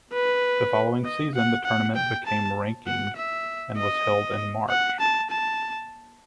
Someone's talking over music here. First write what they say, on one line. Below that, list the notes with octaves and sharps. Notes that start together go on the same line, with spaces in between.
The following season the tournament became ranking and was held in March.
B4
D#5
F#5
F#5
G5
A5
F#5
E5
D#5
F#5
A5
A5